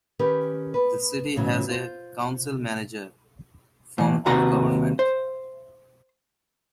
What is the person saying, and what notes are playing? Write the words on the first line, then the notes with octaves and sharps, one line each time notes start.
The city has a Council-manager form of government.
D#3 C#4 G4 A#4 B4
B3 B4
F2 A2 C#3 E3 F#3 C#4
F4 C5
A2 E3
D#2 C3 F#4 B4 A#5
C5